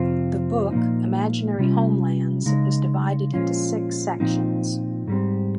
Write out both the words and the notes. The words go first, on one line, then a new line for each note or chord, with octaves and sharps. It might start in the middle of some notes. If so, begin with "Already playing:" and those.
The book 'Imaginary Homelands' is divided into six sections.
Already playing: F2 C3 F3 C4 F4
A#2 F3 A#3 D#4
C3 G3 C#4 F4
C#3 G#3 D#4
A#2 F3 G#3 C#4 F4
A#2 F3 C4 D#4
G#2 G3 C4